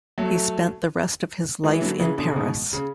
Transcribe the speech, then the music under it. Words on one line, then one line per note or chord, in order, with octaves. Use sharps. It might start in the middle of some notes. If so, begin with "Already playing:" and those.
He spent the rest of his life in Paris.
F#3 A3
E3 G#3
E3
D3 F#3
C#3 E3
B2 D3
C#3
G#2 B2
C#3